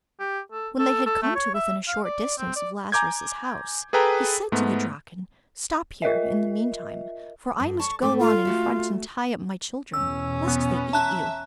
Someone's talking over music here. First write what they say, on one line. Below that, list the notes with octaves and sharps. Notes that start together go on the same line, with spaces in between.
When they had come to within a short; distance of Lazarus's house, he said to the Draken: 'Stop here, in the meantime, for I must go on in front and tie up my children, lest they eat you.'
G4
A4
A4
A4
A3
C#5
E5
F5
D5
C4
D5
G#5 A#5 D6 G6 G#6
G#4 A4 B4 G5 A#5
G#2 A3 B3
F4 A#4 D#5 E5
G2
A5 C#6
G#2 A3 D6
F4
A3 F#4 E5
E2 B2 C#4 E6
B3
E5 A5 A#5 F#6